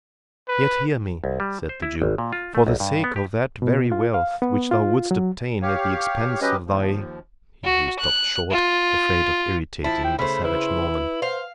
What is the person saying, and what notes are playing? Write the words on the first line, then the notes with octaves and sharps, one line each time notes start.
"Yet hear me," said the Jew--"for the sake of that very wealth which thou wouldst obtain at the expense of thy---" Here he stopt short, afraid of irritating the savage Norman.
B4
C2
G3
C5
E4
G#1
A#2
F4
A3
B1
G2
B3
G4
B2
F4
F5
B3
F4
F#3
G4 C#5 F5
F#3 C#4 G4 B4 D#5
D#2 F3
F#4
F#6
F4
F3 E4 A5
G5
C#3 A3 C5 B5
E4 B4
C5 F5